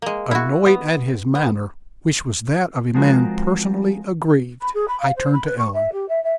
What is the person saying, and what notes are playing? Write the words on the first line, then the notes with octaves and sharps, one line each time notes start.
Annoyed at his manner, which was that of a man personally aggrieved, I turned to Ellen.
G#3 A#3
E4 F#4
B3
B3
F3 G#3 C4 F4 F#4 A#4
B5
G#4
B5
F5
C5
B5
B4
C#6
E5
G4
E5
E5